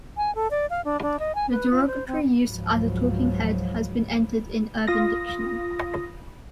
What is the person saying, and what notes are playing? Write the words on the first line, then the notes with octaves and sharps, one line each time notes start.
The derogatory use as a "talking head" has been entered in Urban Dictionary.
G#5
A4
D5
F5
D4
D4
D#5
G#5
B4
F4
C5
C4
C#2 G#2 F3 F#3
F4 D#6 A#6